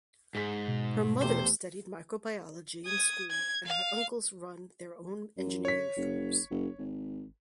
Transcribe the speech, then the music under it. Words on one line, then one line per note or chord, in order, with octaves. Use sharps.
Her mother studied microbiology in school and her uncles run their own engineering firms.
G#2 G#4 B6
B2
E2 A3 G4 C5
D#6 G#6
G#6
F5
F#2
C#5 B6
F#1
F#1
G#1